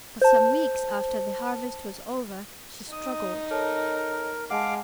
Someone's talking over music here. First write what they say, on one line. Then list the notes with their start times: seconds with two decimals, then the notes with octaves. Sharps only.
For some weeks after the harvest was over she struggled.
0.21 C5 A5
2.92 D#4 D#6
3.51 A4 A#4 C#5 A5
4.50 G#3 F5 F#5 A5 D6